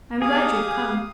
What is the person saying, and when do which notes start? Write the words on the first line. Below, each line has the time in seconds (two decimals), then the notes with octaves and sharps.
"I am glad you have come."
0.22 G4 G#4 F5 D#6